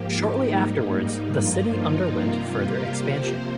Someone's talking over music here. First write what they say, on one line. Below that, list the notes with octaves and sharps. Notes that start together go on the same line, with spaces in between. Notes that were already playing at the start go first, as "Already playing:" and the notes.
Shortly afterwards, the city underwent further expansion.
Already playing: G#2 F3 A#3 G4
D#4
G#2 G3 A#3
G2 F3 A#3 F4
D#4
C3 G3 A#3 F4
G4
C3 F3 A#3 C5